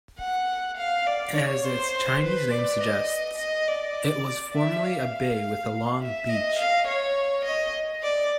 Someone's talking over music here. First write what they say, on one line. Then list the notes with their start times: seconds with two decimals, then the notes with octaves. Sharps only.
As its Chinese name suggests, it was formerly a bay with a long beach.
0.19 F#5
0.78 F5
1.07 D5
1.36 C#5
1.65 C5
2.23 B4
2.51 D5
2.81 D#5
3.39 D#5
3.68 D5
4.55 E5
4.84 F5
6.01 E5
6.29 D#5
6.59 F5
6.87 C#5
7.45 D#5
8.03 D5